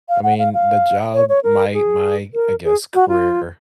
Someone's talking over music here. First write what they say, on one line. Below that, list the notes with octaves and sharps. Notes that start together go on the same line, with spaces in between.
I mean, the job my my, I guess, career
F5
F#5
F5
F5
C#5
C#5
A#4
G#4
A#4
G#4
F#4
F4